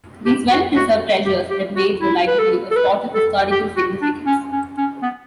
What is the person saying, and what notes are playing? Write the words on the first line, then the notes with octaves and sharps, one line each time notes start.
These well-preserved treasures have made the library a spot of historical significance.
G4
F#4
F#4
G4
G4
F#4
E4
B4
A4
A4
B4
A4
G4
F#4
D4
C#4
C#4
C#4
B3